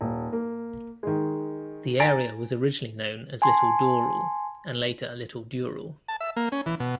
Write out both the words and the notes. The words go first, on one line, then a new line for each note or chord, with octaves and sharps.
The area was originally known as Little Dooral and later Little Dural.
D#1
A#3
D#3 G#3
G#5 A#5 A6 A#6 D7
G#5 A5 C6
A5
E5
A#3
C#4
E3
B2